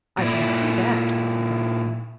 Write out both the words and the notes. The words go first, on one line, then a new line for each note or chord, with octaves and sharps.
"I can see that," was his answer.
A#2 E4